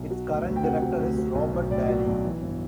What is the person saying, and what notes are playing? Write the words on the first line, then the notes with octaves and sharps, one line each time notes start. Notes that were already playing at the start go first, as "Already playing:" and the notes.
Its current director is Robert Daly.
Already playing: B1
F#3
D2
D2
G5
C3 F#5
F#3
D2
F#3
B1
B1
A2 D5
F#3
B1
E3
G1